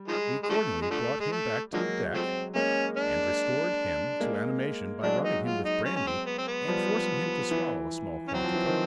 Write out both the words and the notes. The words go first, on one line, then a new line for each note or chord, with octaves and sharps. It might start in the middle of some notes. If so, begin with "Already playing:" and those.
We accordingly brought him back to the deck and restored him to animation by rubbing him with brandy and forcing him to swallow a small quantity.
Already playing: G3
D#3 F3 G#3
G#3
D3 F3 A3
G#3
D3 F3 A3
G#3
A3
D3 F3 F#3 G#3 A#3
F3 A3 C4
G#3 A#3 C#4
D4
G#3 A#3
F#3 G#3 D4
D#4
F4
D#4
C#4
C#4
C4
B3
C4
B3
F3 G3
E3
C#4
F#3 C4
F3
E3
D#3 F3